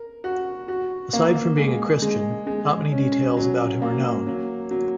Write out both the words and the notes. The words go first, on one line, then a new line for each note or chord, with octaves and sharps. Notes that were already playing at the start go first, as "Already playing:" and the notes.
Aside from being a Christian, not many details about him are known.
Already playing: A#4
F#4
F#4
A#3
G#3
G#3
G#3
C#4
F#3
A#3
F#3
F#3